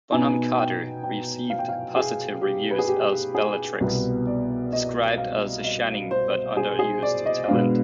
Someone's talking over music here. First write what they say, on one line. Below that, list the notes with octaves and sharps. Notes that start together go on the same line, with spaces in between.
Bonham Carter received positive reviews as Bellatrix, described as a "shining but underused talent".
B2 B3 D#4 G#5
G5
G5
F5
G5
F5
G#4
G4
B4
G#4
G4
G#4
C2 B2 B3
D5
D#5
F5
D#5
C5
G#4
G#4
D5
D#5
B2 G#3 B3 D4 F5